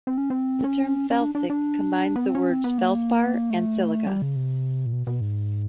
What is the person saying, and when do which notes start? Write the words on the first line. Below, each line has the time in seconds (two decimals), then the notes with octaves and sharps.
The term "felsic" combines the words "feldspar" and "silica".
0.07 C4
0.18 C#4
0.30 C4
0.64 C#4
1.10 C#4
1.21 D4
1.35 D4
1.50 D4
2.16 B3
2.25 C4
2.35 C#4
2.50 C4
2.64 B3
2.78 A#3
3.50 A3
4.07 G3
4.22 C#3
4.36 C3
4.86 A#2
4.93 B2
5.07 B2
5.21 G#2